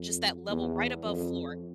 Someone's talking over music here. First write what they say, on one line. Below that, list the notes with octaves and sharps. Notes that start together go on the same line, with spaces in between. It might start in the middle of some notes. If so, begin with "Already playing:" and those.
just that level right above floor.
Already playing: F2
E2
F2